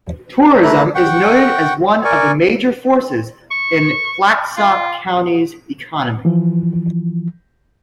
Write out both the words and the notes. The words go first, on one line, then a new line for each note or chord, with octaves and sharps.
Tourism is noted as one of the major forces in Clatsop County's economy.
A3 E4 B4 A#5 F#6
F#5 G5 C#6
A#4 D5 G#5 C#6
C#6
F4
E3 F3